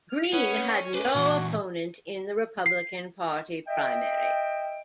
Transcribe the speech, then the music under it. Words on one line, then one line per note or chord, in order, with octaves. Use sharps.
Green had no opponent in the Republican Party primary.
F6
C#4 B4 F#5 D#6
C#4 B4 C5 D6
A#2 E3 F#4
C7
D#5 E5 G5